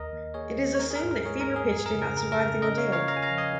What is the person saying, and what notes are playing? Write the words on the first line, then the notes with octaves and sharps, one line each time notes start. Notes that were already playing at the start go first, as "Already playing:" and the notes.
It is assumed that Fever Pitch did not survive the ordeal.
Already playing: D#2 A#4 D#5
D#2
A#3 G#4 C#5
D#2
C#5
D#4 A#4
G#4
A#4
G#2
A#4
G#3 G#4 C#5
A#4
G#2
G#4
F2 G#4
A#4
C#3
A#4
G#3 A#4
A#4
C#3
C#4 A#4 D#5
C#5 F5
F4
C#5 F5
C#4 F5 A#5
G#5
F5 A#5
F3
D#5 G#5